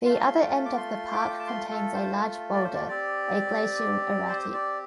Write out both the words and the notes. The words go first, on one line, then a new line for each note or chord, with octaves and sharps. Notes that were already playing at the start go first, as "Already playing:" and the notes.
The other end of the park contains a large boulder, a glacial erratic.
A3 F4 C6
D6
C6
D6
G5
A5
C6
A4
C5
D5
C5
D5
C4 G4 D5
C5
D5